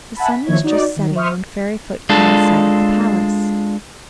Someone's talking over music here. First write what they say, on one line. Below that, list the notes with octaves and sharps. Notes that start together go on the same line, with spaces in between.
The sun was just setting when Fairyfoot came in sight of the palace.
E5 F#5 G#5 A5 B5
B6
D#3 F3 A#3 E4 C#5 G#6
D#4 F#4 D5
D#3
C5 E5 C#6 D#6 F6
G#3 D4 F4 A4